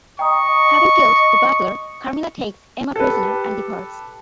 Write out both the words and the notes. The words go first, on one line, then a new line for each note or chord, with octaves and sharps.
Having killed the butler, Carmilla takes Emma prisoner and departs.
D#5 G5 A#5 C#6 D#6
G4 A4 B4